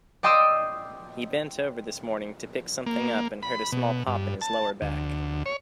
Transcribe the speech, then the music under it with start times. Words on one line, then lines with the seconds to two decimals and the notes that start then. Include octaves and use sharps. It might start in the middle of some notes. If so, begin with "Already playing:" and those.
He bent over this morning to pick something up and heard a small pop in his lower back.
0.23 D5 D#5 G5 C6 D#6 E6
2.87 A#3
3.43 B5
3.72 B2
4.07 G2
4.41 A5
4.82 D2
5.46 C#5